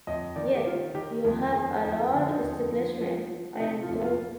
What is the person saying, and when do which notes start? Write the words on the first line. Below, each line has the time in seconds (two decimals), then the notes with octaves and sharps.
Yet you have a large establishment, I am told?
0.07 F2 D#5
0.36 D#3 D5
0.55 G4
0.65 D#3 F4
0.95 D#3 G4
1.25 F2
1.53 F2 G#4
1.84 F2 D#4
2.13 D3
2.28 D#4
2.42 F2
2.72 F3
3.01 F3
3.31 F3
3.60 C3 D#4
3.83 F4
3.89 F2
4.04 F4